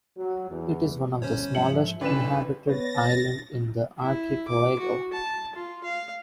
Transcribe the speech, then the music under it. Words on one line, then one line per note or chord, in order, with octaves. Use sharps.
It is one of the smallest inhabited islands in the archipelago.
F#3
E2
G1 C#4 C5 C#5
G#2 F3 E5 C#7 F#7
A1 D3 D4 F4 B4 D5 G#5 E7
B3 B4 C#5 A6 A#6
E4
D6
F#4
A5
F4
F5